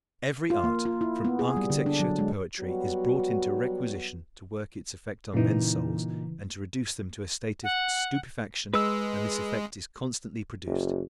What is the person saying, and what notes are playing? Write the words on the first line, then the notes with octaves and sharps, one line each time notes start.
Every art, from architecture to poetry, is brought into requisition to work its effect on men's souls and to reduce them to a state of stupefaction, and this effect is constantly produced.
F4
A#3
F4
E4
B3
G#4
G3
D3
D4
F#3
G#3
F#3 G3 B3 F#4
A#2 C#3 E3 D#4
F#5
G#3 B4 E6
F#1